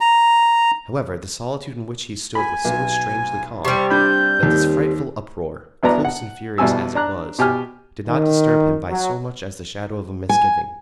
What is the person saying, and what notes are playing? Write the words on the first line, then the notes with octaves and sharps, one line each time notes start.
However, the solitude in which he stood was so strangely calm, that this frightful uproar, close and furious as it was, did not disturb him by so much as the shadow of a misgiving.
A#5
G#5 B5
B1
C3 G3 C#6
D4 B5 G6
D#2
A1 F#3 B3 D4 D5 A#5
F#5
A1 B2 G3 G#5 E6
D4 A#5 F#6
B2 G4 G#5 F6
D#3
F#3
G#5